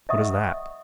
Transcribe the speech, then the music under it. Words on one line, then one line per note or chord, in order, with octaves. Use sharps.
"What is that?"
D#5 E5 F#5 C#6 D#6